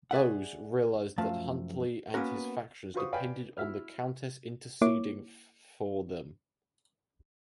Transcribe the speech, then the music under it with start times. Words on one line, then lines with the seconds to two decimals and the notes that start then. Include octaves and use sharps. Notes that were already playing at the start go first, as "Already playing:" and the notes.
Bowes realised that Huntly and his factions depended on the Countess interceding for them.
0.11 G#4 D5 E5 F#5
1.18 F#2 F3 A3 F5 A5
2.14 A#3 B3 C#4 F#4 A#4
2.94 F4 F#4 B4 C5 C#6 D#6
3.12 B4 D5 F5 G5 G#5 B5
3.57 E4 F#4 E5 F6
4.82 A#3 E4 C#5 D6